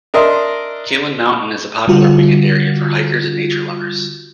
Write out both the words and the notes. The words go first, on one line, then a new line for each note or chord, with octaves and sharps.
Kalin Mountain is a popular weekend area for hikers and nature lovers.
D4 A#4 D#5 E5 C6
D3 G3 F4 F#4